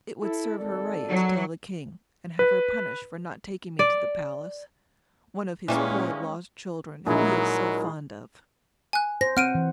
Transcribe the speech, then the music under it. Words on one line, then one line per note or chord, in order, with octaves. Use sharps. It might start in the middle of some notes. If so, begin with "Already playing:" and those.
It would serve her right to tell the king and have her punished for not taking me to the palace--one of his poor lost children he is so fond of!
E4 A4
G#1 A4 D5
F#3
B4
D5
A#2 E3 G3 G#3 A#3 C#4
A#1 F#3 G#3 D#4 E4 A#4
G#5 F#6
C5 A#6
C4 F#5 F6 D7 D#7
E3